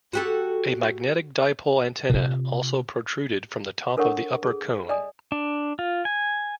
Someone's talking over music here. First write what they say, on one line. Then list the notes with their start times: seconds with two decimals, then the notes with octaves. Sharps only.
A magnetic dipole antenna also protruded from the top of the upper cone.
0.13 F#4 G4 A4
2.10 C3 F4
3.97 D4 A4 A#4 C#5 F#5 C#6
4.43 G#4 A4
4.89 D5 D#5 G#5 D#6
5.32 D4
5.79 F4
6.05 G#5